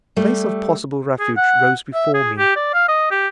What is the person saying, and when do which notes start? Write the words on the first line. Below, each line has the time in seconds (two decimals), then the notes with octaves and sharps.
The place of possible refuge rose before me.
0.16 G3 A3
1.19 G#4
1.36 F#5
1.94 E5
2.14 G#4
2.38 G4
2.56 D5
2.74 F5
2.88 D#5
3.11 G4